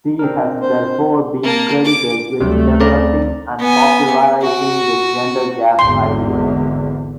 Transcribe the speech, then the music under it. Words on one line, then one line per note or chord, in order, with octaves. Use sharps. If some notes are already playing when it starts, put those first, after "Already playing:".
She has therefore been credited with developing and popularizing the gender gap idea.
C4 D4 A#4
C5
A#3 A5
D6
D2 C3 F#3 G3 A3
C4 A4 D5 A#5
B3 G#5
F#4
G#1 E2 D3 C6